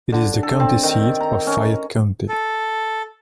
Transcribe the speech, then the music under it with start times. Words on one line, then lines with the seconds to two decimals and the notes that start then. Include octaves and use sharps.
It is the county seat of Fayette County.
0.12 D3
0.43 A4
0.60 C4
0.83 D#3
1.20 A#5
1.47 C#4
2.29 A4